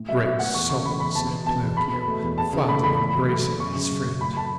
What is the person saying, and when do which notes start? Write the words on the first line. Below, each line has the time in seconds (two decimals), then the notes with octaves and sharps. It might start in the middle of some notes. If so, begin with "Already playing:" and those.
"Great soul!" said Pinocchio, fondly embracing his friend.
Already playing: A2
0.08 F#3 E5
0.24 B3 E5
0.39 A2 F#5
0.54 E2 C#6
0.70 C#3 C#6
0.86 A3 B5
1.00 E2 B5
1.15 E2 A5
1.31 B2
1.46 B3 A5
1.62 E2
1.77 E2 B5
1.92 B2
2.07 A3
2.23 E2
2.38 E2 A5
2.53 C#3
2.69 A3 B5
2.83 E2 B5
2.99 A2
3.15 F#3
3.29 A3
3.45 A2
3.60 F#2 C#6
3.75 C#3
3.90 F#3
4.05 F#2
4.21 A2 B5
4.36 A3 A5